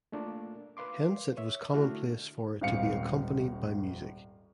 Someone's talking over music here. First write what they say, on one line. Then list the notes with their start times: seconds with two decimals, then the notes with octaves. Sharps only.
Hence it was commonplace for it to be accompanied by music.
0.12 A3 A#3 D4 F4 A#4
0.77 A#4 B4 F5 C6 D6
1.37 C#5 E5
1.73 D3 A3 D4 E4 F#4 F6
2.61 D#1 G#1 F5 C#7